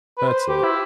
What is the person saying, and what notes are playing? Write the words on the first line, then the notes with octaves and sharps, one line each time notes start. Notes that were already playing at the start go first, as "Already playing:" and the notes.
That's it.
B4
C5
G4
E4